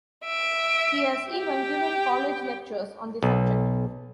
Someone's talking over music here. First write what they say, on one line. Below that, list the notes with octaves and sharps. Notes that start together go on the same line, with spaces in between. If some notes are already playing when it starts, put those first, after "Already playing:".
He has even given college lectures on the subject.
E5 D7
G4 G5
B1